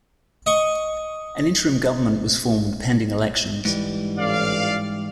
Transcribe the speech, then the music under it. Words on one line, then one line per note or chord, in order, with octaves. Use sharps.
An interim government was formed pending elections.
D#5 C#6
G#2 E3 G3
A1 D5 F5